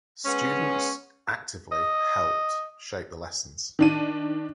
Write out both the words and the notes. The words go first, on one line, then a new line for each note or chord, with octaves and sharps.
Students actively helped shape the lessons.
G#3 B3 C#4
D#5
D#3 D4 D#7